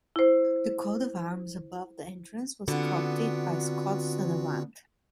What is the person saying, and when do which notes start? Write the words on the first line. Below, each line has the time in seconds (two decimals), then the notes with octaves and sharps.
The coat of arms above the entrance was sculpted by Scott Sutherland.
0.16 E4 C5
2.68 D3 B3 C4 F4 F#4